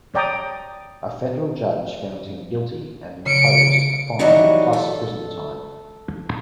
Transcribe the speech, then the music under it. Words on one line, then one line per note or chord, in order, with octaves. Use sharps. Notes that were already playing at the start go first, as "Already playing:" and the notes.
A federal judge found him guilty and imposed a fine plus prison time.
C#5 D5 G5 A#5 D6 D#6
C#3 C#7 D7
E3 F#3 G3 D4 D#4 F#4
A4